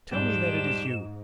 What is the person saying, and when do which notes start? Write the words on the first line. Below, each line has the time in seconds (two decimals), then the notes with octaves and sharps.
Tell me that it is you!
0.11 D#1 G#1 G#2 F3 G3 D4 G4 E7